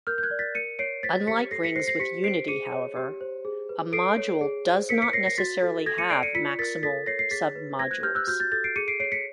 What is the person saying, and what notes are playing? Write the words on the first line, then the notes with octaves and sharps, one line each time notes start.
Unlike rings with unity however, "a module does not necessarily have maximal submodules".
A#4 F6 G6
G6
F#6 G#6
D5
A6 B6
A#4 C#7 D#7
C#5 C7 D7
C5 A6 B6
G4 B6 C#7
A4 A#6 C7
B6 C#7
C5 A#6 C7
A#6 C7
G4 B6 C#7
C5 C7 D7
G#4 C#7 D#7
C#5
G4
C5
G#4
B4
A4 C7 D7
C#5
G#4
C5
A#4 B6 C#7
D7
B6 C#7
C#5 A#6 C7
A#6 C7
F#4 A6 B6
A4
A4 G#6 A#6
C#7 D#7
D5 C7 D7
C#7 D#7
F4 B6 C#7
A#4 A6 B6
A4 A6 B6
C#5 A#6 C7
C7
G#4 A6 B6
B4
C5 G#6 A#6
F#6 G#6
G4 F6 G6
E6 F#6
F#4 F6 G6
G6 A6
A4 G6 A6
C7 D7
G#4 C#7 D#7
C7 D7
C#5 C7 D7
B6 C#7